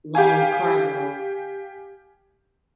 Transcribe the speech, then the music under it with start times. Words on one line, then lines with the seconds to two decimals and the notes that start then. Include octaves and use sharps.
loan car loan,
0.15 G4 F5 G#5